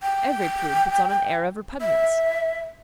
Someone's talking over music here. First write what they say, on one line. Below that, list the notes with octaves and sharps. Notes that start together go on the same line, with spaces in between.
Every prude puts on an air of repugnance.
G5
E5